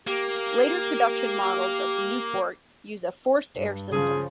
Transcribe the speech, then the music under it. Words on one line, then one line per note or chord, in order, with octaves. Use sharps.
Later production models of the Newport use a forced-air system.
A#3 G4
G2
C#3 F3 G#4